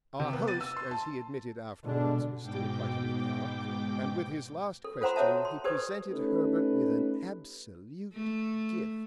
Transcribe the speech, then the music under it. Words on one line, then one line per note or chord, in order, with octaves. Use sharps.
Our host, as he admitted afterwards, was still quite in the dark, and with his last question he presented Herbert with an absolute gift.
C3
B3
A6 D#7
E6
C6
A5
B2 D3 G#3 D4
G#2 B2 G5 D6
A4
F4 A4 C5 F#5 A#5 C6
F#4 A4 C5 C#5 E5 A5
C6
G4 A4 B4 C5 D5 D#6
A3 C#4 D#4 G4 A4 B4
A3